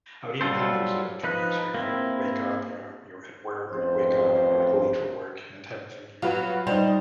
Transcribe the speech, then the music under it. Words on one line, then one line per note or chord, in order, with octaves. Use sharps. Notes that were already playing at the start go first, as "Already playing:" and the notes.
I would even have those, uh, dreams here, you know, where you wake up and you're you're at work or you wake up and you're, like, late for work, that type of thing here
F#3 G3 F4 A4 C5
F3 D#4 B4 B5 F#6
A#3 C4 E4
A1 F2 C5
F#3 F4 F#4 B4
G3 D#4 C5